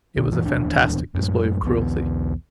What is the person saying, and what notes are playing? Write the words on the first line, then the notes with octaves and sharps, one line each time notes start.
It was a fantastic display of cruelty.
B1 A#2 D3
F#2 E3 F#3
D1 A#1 E2 D4
F#2 A2
B1 E2 B3